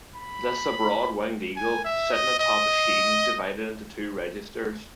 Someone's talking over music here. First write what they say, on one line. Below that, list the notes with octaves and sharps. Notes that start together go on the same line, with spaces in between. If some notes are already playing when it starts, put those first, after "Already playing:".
This is a broad winged eagle, sitting atop a shield divided into two registers.
B5
G#5
E5
D#5
D#5